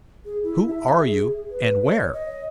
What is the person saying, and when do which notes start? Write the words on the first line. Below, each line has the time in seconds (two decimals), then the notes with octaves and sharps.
"Who are you--and where?"
0.25 G#4
0.43 E4
0.68 E5
0.97 G#4
1.51 B4
1.84 C#5
2.13 D#5